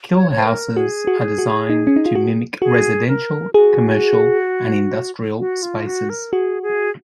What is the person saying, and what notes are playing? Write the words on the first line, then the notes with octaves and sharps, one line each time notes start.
Kill houses are designed to mimic residential, commercial and industrial spaces.
C#5
C#5
C5
A#4
F#4 G#4
F#4
F#4
D#4
C#4
D#4
F4
F#4
F#4 G#4
A#4
F#4 G#4
F#4
F4
F#4
A#4
F#4 G#4
G#4